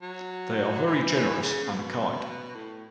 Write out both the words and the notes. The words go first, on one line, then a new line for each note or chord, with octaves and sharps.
They are very generous and kind.
F#3
E3
E3
C#3
C#3
B2
A2